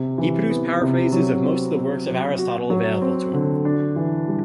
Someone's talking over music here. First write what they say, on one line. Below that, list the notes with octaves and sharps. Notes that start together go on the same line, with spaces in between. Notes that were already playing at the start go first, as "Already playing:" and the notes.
He produced paraphrases of most of the works of Aristotle available to him.
Already playing: C3
E3
B3
C3
F#3
C4
F#4
F#3
F#4
F#3
C4
D3
D4
E3
G3